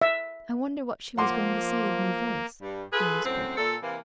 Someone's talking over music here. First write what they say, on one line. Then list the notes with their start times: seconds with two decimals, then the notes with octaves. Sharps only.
"I wonder what she was going to say of me voice," he whispered.
0.02 E5
1.18 F3 A#3 F#5 C6 D6
2.61 G2
2.93 F4 G#4 A4 B4
3.24 F#2 A2 C4
3.57 A#2 A4
3.82 C3 E3 A#3